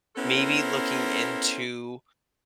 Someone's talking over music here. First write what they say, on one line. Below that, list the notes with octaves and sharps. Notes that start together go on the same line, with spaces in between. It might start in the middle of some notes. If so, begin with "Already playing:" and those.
maybe looking into
B3 C#4 E4 A4 A#4 C5